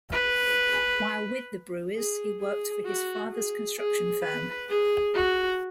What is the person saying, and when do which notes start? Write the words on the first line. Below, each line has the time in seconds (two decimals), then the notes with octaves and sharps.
While with the Brewers, he worked for his father's construction firm.
0.12 B4
1.95 G#4
2.41 G#4
2.86 F#4
3.32 G#4
3.77 G#4
4.23 B4
4.69 G#4
5.14 F#4